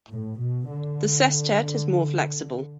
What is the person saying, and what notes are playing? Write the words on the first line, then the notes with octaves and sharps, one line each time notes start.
The sestet is more flexible.
A2
B2
D3